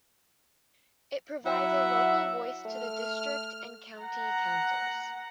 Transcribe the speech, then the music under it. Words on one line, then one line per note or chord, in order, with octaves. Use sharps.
It provides a local voice to the district and county councils.
F#3 E4 E5 F#5
A3 F6
F#5 A#5